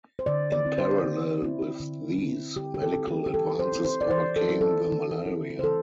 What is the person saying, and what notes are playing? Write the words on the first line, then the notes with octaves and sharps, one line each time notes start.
In parallel with these, medical advances overcame the malaria.
C5
D3 D5
D5
C4 E4
C5
D3
C4 E4
D3
C4 E4
D3 G4
G4
A4
C4 E4
G4
G4
E3 A4
C5
C4 E4
C5
D5
E3 C5
A4
C4 E4
A4
E3
C4 E4
C5
E3 A4